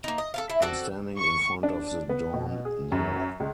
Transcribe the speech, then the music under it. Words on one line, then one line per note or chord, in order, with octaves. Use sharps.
I’m standing in front of the dorm now.
A#3 D#4
D#5
A4 A#4 F5
E4
C4 F#4 A4 D5
C#6
D4
B3
B2
G#4
F#2
C#2